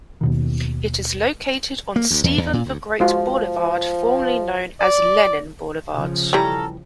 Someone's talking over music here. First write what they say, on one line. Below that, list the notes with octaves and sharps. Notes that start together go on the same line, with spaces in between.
It is located on Stephen the Great Boulevard formerly known as Lenin Boulevard.
D#2 B2 D#3
A#3
D2
E2
E2
A#2
D2
F3 G#3 F4 F#4
D5
C#3 F3
E3 G3 C#4 A4 A#5